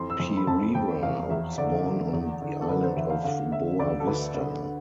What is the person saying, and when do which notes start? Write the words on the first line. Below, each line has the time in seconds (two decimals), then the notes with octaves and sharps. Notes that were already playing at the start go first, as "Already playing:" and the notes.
Pereira was born on the island of Boa Vista.
Already playing: F2 E3 C6
0.10 E6
0.20 F2
0.37 B5
0.47 F2 A5
0.75 F2 G5
1.03 E2 F5
1.30 E2 E5
1.58 D3 D5
1.86 D3
2.13 E2
2.42 D3
2.61 A4
2.69 D3 B4
2.83 C5
2.97 E2 E5
3.10 F5
3.24 D3 F5
3.52 D3 E5
3.79 D2 D5
4.00 A4
4.07 D2 B4
4.34 D3
4.63 D3